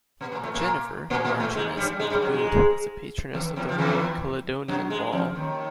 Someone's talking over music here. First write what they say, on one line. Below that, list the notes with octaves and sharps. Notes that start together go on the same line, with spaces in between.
Jennifer, Marchioness of Bute, is a Patroness of the Royal Caledonian Ball.
B2 B3
A#2 A#3
A2 A3
A#2 A#3
A#2 A#3
A#2 A#3
A2 A3
G#2 G#3
G2 G3
G#2 G#3
G2 G3
F#2 F#3
G#2 G#3
E2 E3
E2 E3
F3
E2 E3
F#2 F#3
G#2 G#3
F2 F3
D#2 D#3